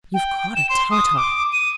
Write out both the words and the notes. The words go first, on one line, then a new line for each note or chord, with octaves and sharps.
'You've caught a Tartar.'
G5
E7
C6
D#6
D6
D#7